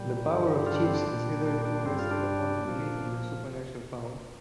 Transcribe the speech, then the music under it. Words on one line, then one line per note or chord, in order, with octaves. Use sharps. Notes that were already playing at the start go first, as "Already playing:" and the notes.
The power of chiefs has hitherto rested upon the belief in their supernatural power.
Already playing: A#2 G3
G2 D3 G3
F4
D4
C4
D4
A#2 G3
D4
D4
G2 G3 C4
F4
D4
A#2 F3